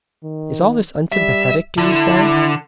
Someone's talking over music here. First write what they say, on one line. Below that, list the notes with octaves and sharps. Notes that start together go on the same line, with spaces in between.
Is all this unsympathetic, do you say?
D#3
G3 E5
D3 E4